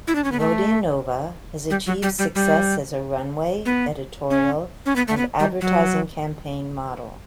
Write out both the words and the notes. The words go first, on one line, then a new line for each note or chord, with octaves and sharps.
Vodianova has achieved success as a runway, editorial, and advertising campaign model.
E4
D4
C#4
B3
A3
G3
F#3
G3
G3
G3
B3
C#4
C#4
B3
A3
B3
G3
F#3